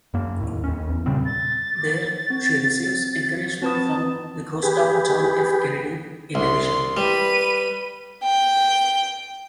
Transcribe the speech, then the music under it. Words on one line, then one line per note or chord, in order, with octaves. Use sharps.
There, she receives encouragement from the ghost of John F. Kennedy in a vision.
F#2 A#3
D#2 A2
D#2 C#4
E2
A#2 C#3 G3 C4
A6
C4
C4 B4 A5 D#6
G4 G#4 B4
C2 C6
G3 B4 D#7
G5